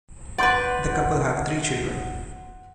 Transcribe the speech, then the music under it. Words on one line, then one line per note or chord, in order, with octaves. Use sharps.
The couple have three children.
B4 D5 F#5 C6 G6